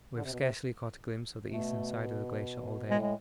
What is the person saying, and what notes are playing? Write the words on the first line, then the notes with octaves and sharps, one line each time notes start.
We have scarcely caught a gimpse of the eastern side of the glacier all day.
D3
C3
B2
C3
C3
B2 A3
A2 G#3
G#3